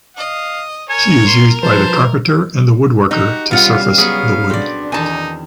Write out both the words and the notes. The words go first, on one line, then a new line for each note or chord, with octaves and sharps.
She is used by the carpenter and the woodworker to surface the wood.
D#5 F5
A#4 C#5 G#5
C6
F3 B4 C5 A5
D#4 F#4 G4
C#3 G3 B3 F4 F5 F#5
F#3 B3 G#4
C4 D4 D5
E2 D#3 D#4 G#5 A5